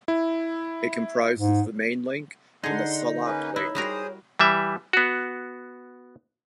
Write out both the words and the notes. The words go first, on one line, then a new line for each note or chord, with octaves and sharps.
It comprises the Main Link and the Salak Link.
E4
G#2
D3 D#4 G#4 D5 F#5 C6
A#3 C#4 B4 G#5
E4 B4 C#5 D#5
G3 F#4 G#4 A#4 C5 D#6
E3 G3 E5
B3 F#4